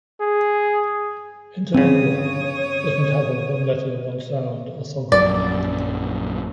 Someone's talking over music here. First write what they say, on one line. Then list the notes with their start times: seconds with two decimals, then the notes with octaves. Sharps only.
Interlingua doesn't have a 'one letter one sound' orthography.
0.20 G#4
1.74 G1 C#3 C4 C#5 D#6
5.12 A#1 F#2 F#3 D5